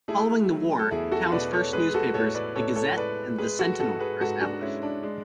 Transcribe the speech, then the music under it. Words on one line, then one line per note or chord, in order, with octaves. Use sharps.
Following the war, the town's first newspapers, "The Gazette" and "The Centinel", were established.
A3 E4 G#4
F#3
A4
E2 E4 G#4
F#4 A4
B2 B4 D5
A4 C#5
G#3 G#4 B4
G#4
F#4 A4
A2 A4 C#5
B4 D5
A2 A4 C#5
A4 C#5
G#3 B4 D5
G#3 G#4 B4
F#4 A4
G#2 F#4 A4
G#4 B4
G#2 F#4 A4
D4 F#4
G#3 C#4 E4
D4
G#3 D4